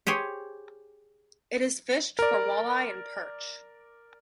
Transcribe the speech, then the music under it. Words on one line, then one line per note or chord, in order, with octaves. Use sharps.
It is fished for walleye and perch.
G4 G#4 C5 C#5
A#4 D5